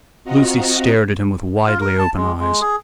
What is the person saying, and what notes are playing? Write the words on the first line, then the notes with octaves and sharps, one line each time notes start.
Lucy stared at him with widely-open eyes.
C4 F4 F#4 D#5 F#5 A#5
F4
A#4
A5
G#3
G#3
G#4